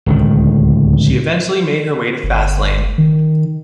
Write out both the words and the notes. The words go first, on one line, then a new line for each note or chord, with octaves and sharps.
She eventually made her way to Faslane.
D1 C#2 D#3
G1
D#3